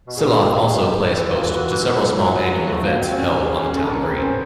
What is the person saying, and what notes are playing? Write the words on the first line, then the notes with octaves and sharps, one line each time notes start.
Silloth also plays host to several small annual events held on the town green.
B2
A#2 G#4
C3 G#4
B2 G4
E3
F4
F#4
F#3
G3
F#3
F4
F#4
F4
F#3
A3
A#3 F#4
C4
C#4
G4
G#4
G#4
C#4 A4
D4 A#4
C#4
C4 B4
C#4 C5